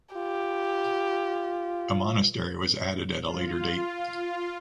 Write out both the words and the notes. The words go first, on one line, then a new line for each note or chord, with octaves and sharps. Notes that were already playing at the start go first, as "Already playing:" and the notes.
A monastery was added at a later date.
F4 G4
F4